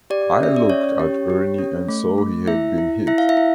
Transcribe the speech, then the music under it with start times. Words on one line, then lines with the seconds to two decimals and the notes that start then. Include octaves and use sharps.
I looked at Ernie and saw he had been hit.
0.10 G4 D5
0.40 C#4 E5
0.56 D5
0.70 C#4 C#5
1.00 G4
1.30 G4
1.59 C#4
1.89 A3
2.18 A3
2.48 E4 E5
2.78 E4
3.07 E4 E5
3.18 F5
3.29 E5
3.37 E4